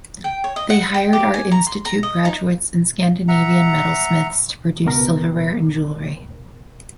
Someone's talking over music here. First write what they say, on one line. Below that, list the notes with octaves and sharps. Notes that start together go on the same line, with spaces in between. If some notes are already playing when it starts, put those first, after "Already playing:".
They hired Art Institute graduates and Scandinavian metalsmiths to produce silverware and jewelry.
G5
C#5
D#5
F#5
G5
G4
G#5
A#5
C6
A#5
D#5
D#4
E5 F#5 A#5
C#2 B2 A#4